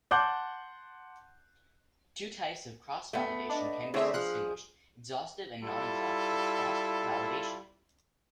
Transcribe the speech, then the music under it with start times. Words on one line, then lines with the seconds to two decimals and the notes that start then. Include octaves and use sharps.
Two types of cross-validation can be distinguished, exhaustive and non-exhaustive cross-validation.
0.11 F#5 A5 C6 D6 F#6 G6
3.13 A3 B3
3.49 D4 D#5
3.94 D3 A3 C4 E4 G#4 C#5 E5
4.14 F3 G#4 F#6
5.62 G3 E4 F4 A4